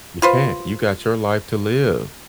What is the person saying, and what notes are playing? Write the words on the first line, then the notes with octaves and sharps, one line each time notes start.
You can't. You got your life to live.
F4 B4 C5